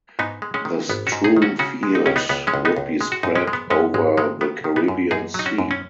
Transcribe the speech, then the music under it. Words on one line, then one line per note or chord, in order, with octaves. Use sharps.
The strewn field would be spread over the Caribbean Sea.
G#2 B3 D#4
G#3
G#3 C#4
D#3
G#1 B3
C#4 F#4
G#2
D#4 G#4
D#3
C#4 F#4
C#3 C#4 F#4
G#3
D#4
C#2 C#4
B3 D#4
C#2 B3
G#3 C#4
C#2
B3 D#4
C#2
G#3
F#4
F#2 D#4
G#3 C#4
G#3
B3
F#2 G#3 C#4
G#1 G#3
D#3 G#3
D#3 B3
D#3
B3 D#4
F#2
F#2 D#4 G#4
F#3 D#4
C#4 F#4
F#2
C#4